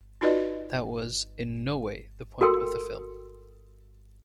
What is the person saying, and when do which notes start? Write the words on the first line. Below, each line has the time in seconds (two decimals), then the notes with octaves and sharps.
That was in no way the point of the film.
0.21 D#4 F4 F#4 B4 D5 D#5
2.41 F#4 A4 A#4 G5 C6 E6